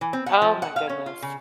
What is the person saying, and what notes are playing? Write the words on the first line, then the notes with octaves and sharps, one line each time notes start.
Oh, my goodness.
E3
C4
F#5
F3
F#5
F5
C#4
F4
C#3